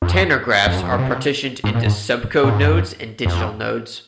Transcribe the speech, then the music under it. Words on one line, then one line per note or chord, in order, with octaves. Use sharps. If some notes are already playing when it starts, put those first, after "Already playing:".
Tanner graphs are partitioned into subcode nodes and digit nodes.
F2
F2
F#2
F2
F#2
C3
G#2
A#2
G#2
A#2
G#2
F#2
F2